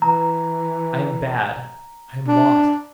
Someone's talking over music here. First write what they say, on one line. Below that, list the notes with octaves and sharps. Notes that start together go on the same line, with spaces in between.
'I am bad, I am lost.
E3 A#5
D4